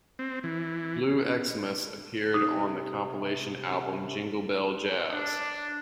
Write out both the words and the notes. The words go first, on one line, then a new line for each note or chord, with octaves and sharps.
"Blue Xmas" appeared on the compilation album "Jingle Bell Jazz".
C4
E3
C3 D#4 D#6
D4